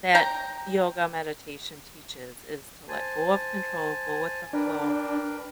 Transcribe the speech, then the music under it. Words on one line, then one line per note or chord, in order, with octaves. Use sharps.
that yoga meditation teaches, is to let go of control, go with the flow,
G5 A#5
C5 G#5 A5
D4 A#4 B4 G5